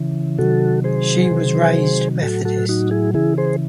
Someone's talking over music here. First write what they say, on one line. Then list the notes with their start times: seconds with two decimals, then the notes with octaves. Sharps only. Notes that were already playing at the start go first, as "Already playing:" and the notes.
She was raised Methodist.
Already playing: C#3 E3
0.38 C3 D#3 F#3 F#4 A4
0.84 G#4 C5
1.31 C3 D#3 F#3
2.22 A2 F#3 F#4 A4
2.45 F#4 A4
2.69 D#4 F#4
2.91 E4 G#4
3.14 C#3 E3 E4 G#4
3.38 G#4 C5